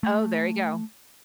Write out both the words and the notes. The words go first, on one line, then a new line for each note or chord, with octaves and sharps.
Oh, there you go.
A3